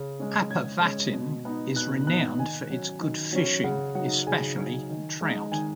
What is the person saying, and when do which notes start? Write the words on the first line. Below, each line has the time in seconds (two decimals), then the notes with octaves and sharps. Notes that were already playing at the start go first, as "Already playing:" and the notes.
Apavatn is renowned for its good fishing, especially trout.
Already playing: C#3
0.19 G#3 C#4
0.50 C#3 G#6
0.81 G#3 C#4
1.14 B2
1.45 B3 D#4
1.76 B2 F#6
2.07 B3 D#4 F#6
2.39 D#3 G#5
2.70 F#3 C#4
3.01 D#3
3.33 F#3 C#4
3.64 C#3 F#5
3.95 F#3 D#4 F#5
4.27 C#3 G#5
4.58 F#3 D#4
4.89 D#3
5.21 G#3 D#4
5.52 D#3 G#5